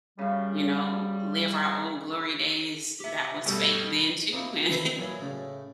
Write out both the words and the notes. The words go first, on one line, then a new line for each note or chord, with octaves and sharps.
you know, live our old glory days that was fake then too, and,
F#2 C#3 G3
G4 E5
B2 G3 A3 A4 G5
A#2 A#3 D#4 E4
D#3 E3 C4 E4
B1 A#2 F#3 E4 G#5
A2 C#3 A3